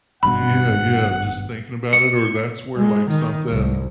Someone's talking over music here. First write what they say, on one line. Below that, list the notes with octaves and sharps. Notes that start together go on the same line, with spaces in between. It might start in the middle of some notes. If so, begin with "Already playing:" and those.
Yeah, yeah. Just thinking about it or that's where, like, something,
G#1 G2 B2 F#5 B5
C#7
G#3
D#3
C2